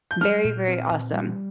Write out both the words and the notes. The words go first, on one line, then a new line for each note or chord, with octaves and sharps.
Very, very awesome.
G6
G3 F6
A#2
C4
A#2
G3